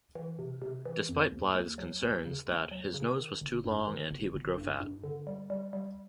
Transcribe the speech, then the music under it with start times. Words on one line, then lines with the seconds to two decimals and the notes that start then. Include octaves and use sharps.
Despite Blythe's concerns that 'his nose was too long and he would grow fat'.
0.15 E3
0.39 C3
0.62 C3
0.85 E3
1.09 F2
1.32 D#2
1.55 D#2
1.78 F#3
2.02 D#2
2.25 C#3
2.48 D#2
2.71 F#3
2.94 C#3
3.18 D#3
3.41 G1
3.64 G2
3.88 D#3
4.11 G1
4.34 G1
4.58 G2
4.80 G2
5.04 D3
5.27 G3
5.50 G3
5.73 G3